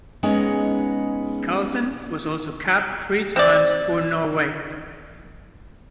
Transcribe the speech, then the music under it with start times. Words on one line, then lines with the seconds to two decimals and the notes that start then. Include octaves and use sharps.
Karlsen was also capped three times for Norway.
0.23 G#3 B3 C#4 D#4
3.36 C4 D5